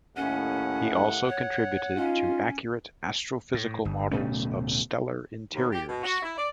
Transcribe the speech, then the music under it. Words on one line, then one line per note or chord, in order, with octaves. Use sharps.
He also contributed to accurate astrophysical models of stellar interiors.
D#2 A2 C#4 F#5
C#5
C#4 D#4 F4
A2
G1
D1 B2 A3 C#4
D#2
G4
B2
F#4
E4
D5